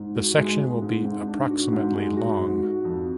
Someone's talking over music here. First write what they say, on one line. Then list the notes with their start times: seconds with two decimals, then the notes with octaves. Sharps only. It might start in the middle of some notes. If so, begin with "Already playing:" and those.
The section will be approximately long.
Already playing: G#2
0.15 F#4
0.38 G#3
0.60 G#3
0.82 G#2
1.05 G#2
1.28 D4
1.50 F#4
1.73 G#2
1.95 G#3
2.17 F#4
2.40 G#2
2.62 F#4
2.84 F2